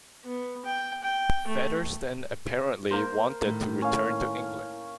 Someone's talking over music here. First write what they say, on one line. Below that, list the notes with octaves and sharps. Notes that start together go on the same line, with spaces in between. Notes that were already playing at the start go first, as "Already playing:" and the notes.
Featherston apparently wanted to return to England.
B3
G5
G5
A3
A#3 A#4 C5
A2 D#3
C#4 F5